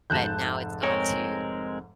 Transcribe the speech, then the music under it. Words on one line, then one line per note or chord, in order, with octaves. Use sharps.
but now it's gone to
F1 G#2 A5 F#6 G6 E7
G#3 C4 A#4 C#5